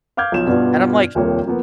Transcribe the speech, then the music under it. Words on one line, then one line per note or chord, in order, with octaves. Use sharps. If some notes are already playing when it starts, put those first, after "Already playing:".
and I'm like,
F5 D6 F6 G6 G#6
B1 F3 E7
G2 B2 B3 D4 F4
D#1 C2 F2 F3 A#3 C#5
F3 A#3 B3